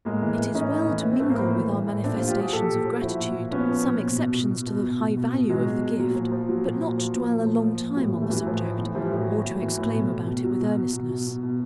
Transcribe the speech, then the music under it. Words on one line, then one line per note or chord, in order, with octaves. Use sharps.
It is well to mingle with our manifestations of gratitude, some exceptions to the high value of the gift, but not to dwell a long time on the subject, or to exclaim about it with earnestness.
A2 G#3 A#3
E3
E3
A2 C#4 D#4
A2
E3
E3 B3
C4
A2 A3 B3
A#3 C4
A2
E3
E3
A2
A#2 C4 D4
F4 G4
F3
F4 G4
F3 F#4 G#4
A#2 G4 A4
A#2
F3
F3 E4 F#4
A#2
A#2
F3 B3 C#4
F3
A#2
B2
B2
B2
B2
B2
B2
B2
B2
B2
B2 F#3 G#3
B2
B2
A#2 F#3
F3
F3
A#2 F#3
A#2
F3
F3
A#2
A#2
F3
F3
A#2
A2 F#3
E3
G3 A3
E3 F#3
A2 F3
A2
E3
E3 F3 G3
A2
F#3
A2
E3
E3
A2
B2
B2
B2
B2 F#3
B2
B2
B2
B2
B2
B2